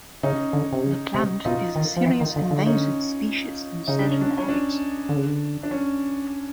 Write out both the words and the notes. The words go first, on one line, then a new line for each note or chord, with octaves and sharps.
The plant is a serious invasive species in certain areas.
C#3 C#4 D#4
D3
C3
C#3
C3
B2 D#4 F4
D#3
F3
E3
D#3
D3
D3
C#4 D#4
C#3 D#4
D4
C#4
D4
C#4
D4
D3
C#3
D3
D4
C#4